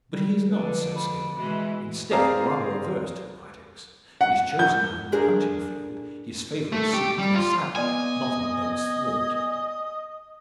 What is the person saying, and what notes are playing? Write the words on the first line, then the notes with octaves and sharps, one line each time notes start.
But he is not so skilled--instead, rather averse to aquatics--his chosen home the hunting field, his favourite seat in a saddle, not on a boat's thwart.
G3
F2 D3 B4
B5
B2 E3 G#3
C4 G#4 D5 F5 A#5
F#5
G6
D4 G#4 A#4
A3
G4
G3
F4
B3 D5 D#5 G#5 G#6